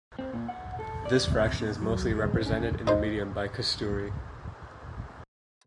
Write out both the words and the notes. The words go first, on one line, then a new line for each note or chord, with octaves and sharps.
This fraction is mostly represented in the media by Kasturi.
C4
A#2
F#5
A4
D5
C3
B2
F#3
G#3
C4
C#4
D#4 C5